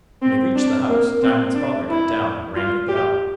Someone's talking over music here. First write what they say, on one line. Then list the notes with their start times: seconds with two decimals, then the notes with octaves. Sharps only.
When they reached the house, Diamond's father got down and rang the bell.
0.22 C4
0.55 D4
0.88 A#3
1.22 C4
1.55 D4
1.89 E4
2.55 F4
2.88 G4